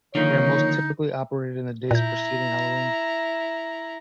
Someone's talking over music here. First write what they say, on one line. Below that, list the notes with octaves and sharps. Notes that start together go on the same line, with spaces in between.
They are most typically operated in the days preceding Halloween.
D3 D#3 F3 A#3 D#4 C#5
A#2 E4 A#5 G6